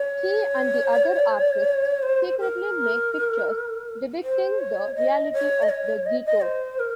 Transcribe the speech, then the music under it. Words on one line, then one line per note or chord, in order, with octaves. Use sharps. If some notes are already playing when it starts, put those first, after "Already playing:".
He and the other artists secretly make pictures depicting the reality of the Ghetto.
Already playing: C#5
C5
A#4
C5
C#5
D#5
C#5
D#5
C#5
D#5
D#5
C5
A#4